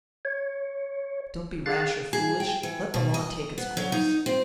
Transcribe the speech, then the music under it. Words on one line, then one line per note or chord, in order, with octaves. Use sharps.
"Don't be rash or foolish; let the law take its course."
C#5
G#4 F5 F#6 A6
G#4
G5
E3
B2
D#5
B3
F#3
D#4
C4